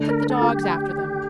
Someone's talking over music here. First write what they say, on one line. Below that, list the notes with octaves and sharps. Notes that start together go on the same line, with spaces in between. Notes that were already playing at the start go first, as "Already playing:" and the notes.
'Set the dogs after them.'
Already playing: D3 A3 D4
A#4
A4
F4
G4